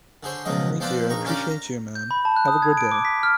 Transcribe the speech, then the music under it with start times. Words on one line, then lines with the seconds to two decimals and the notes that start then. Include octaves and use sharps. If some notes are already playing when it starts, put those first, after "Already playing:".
Thank you, I appreciate you, ma'am. Have a good day.
0.23 D3 G#4 C5 C#5
0.45 C#2 B2 F3 F#3 D#5
0.80 F3 B3 C4 D4 C5 D5
1.09 A#1 D#4 A#5 C#6
1.25 C#4 D4 F4 G4 A#4 D5
1.50 A#5
1.95 G6
2.11 B5
2.25 A5
2.36 F#6
2.48 D#6
2.62 G#6
2.77 D7
2.91 D6
3.05 B6
3.23 F6